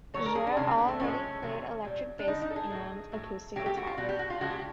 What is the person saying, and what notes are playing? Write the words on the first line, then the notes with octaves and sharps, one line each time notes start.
Jere already played electric bass and acoustic guitar.
D3 F#3 A3 C#5
A#4
G#4
D4
C3 D#3 G3 C#4
C4
B3
A3
A2 F3 G#3 C#4
C3 D#3 F#3 A3
A#2 G3
D4
D3 G3 D#4
D#4
A4
G#4
A2 F#3 A3
A2 F#3 A3
A#2 F#3 A3 G4
G4
F#4
F4
B2 G3 F#4
G4
F#4
F4
C#3 F3 G#3 F#4
G4